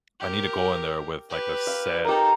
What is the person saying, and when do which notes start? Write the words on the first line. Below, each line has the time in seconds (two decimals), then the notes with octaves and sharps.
I need to go in there with, like, a set,
0.20 G4 A#4
1.30 G4 B4
1.67 F5
2.05 D#4 G4 A4 A#4